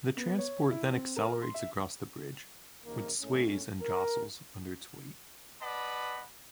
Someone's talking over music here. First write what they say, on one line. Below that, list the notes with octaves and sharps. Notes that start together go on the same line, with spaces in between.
The transport then accelerates across the bridge which sways and jostles under its weight.
B3
C#5
E4
C4
A#4
C6
E5
A#1 F#2 D#3 A#3
A2 G#3 C#4
A#4
B4 D5 D#5 F#5 A5 B5